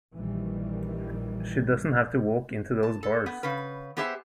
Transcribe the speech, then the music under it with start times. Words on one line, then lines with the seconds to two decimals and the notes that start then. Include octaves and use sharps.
She doesn't have to walk into those bars.
0.14 A#1 D#3 E3 G3
2.83 A5
3.03 A4
3.26 B3
3.43 C#3 B4
3.97 B3 G4 G#4 C5 E5